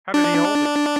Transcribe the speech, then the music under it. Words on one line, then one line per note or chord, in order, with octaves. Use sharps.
How did he hold it?
D4